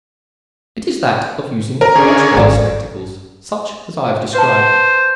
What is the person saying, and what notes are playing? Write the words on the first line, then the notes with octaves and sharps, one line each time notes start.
It is that of using watch-glass spectacles such as I have described.
A#4
D3 C#4 G#4
G#1 A4 D5
B4 C5 F#5 A5